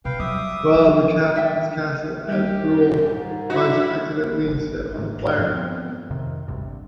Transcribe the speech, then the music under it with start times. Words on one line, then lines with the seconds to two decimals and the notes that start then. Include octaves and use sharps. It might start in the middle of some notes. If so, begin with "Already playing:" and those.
While on the Calf his castle at Barrule was accidentally set on fire.
0.05 B2 B4 F5 G5
0.20 F#3 G3 E5 D6 D#6
0.75 F3
1.35 D5 E5 G5
2.28 G3 G4
2.61 F#2
3.12 G#2
3.50 E4 F#4
4.47 G1
4.99 G#2
5.39 G2 D3 D#3 F3
5.53 F3 B3 C4
6.10 F2 C3 D#3
6.48 G#1 D2 G2 C3